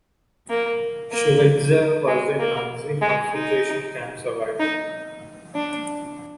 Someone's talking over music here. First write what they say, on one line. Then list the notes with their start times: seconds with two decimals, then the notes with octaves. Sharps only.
Schweitzer was a Nazi concentration camp survivor.
0.50 A#3
1.12 A#3
2.08 G#3
2.39 A#3
3.02 G#3
3.33 D#4
4.60 D#4
5.55 D4